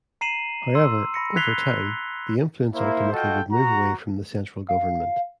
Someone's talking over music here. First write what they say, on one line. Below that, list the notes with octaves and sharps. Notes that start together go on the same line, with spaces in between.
However, over time, the influence ultimately would move away from the central government.
A#5 C7 D#7 E7 F#7
C6 E6
B5 A#6 C#7
F#6 G#6 B6 C7 F7 G7
A#3 E4 C5
F4 F#4 A4 D#5 F5 G5
F#4 A#5
F5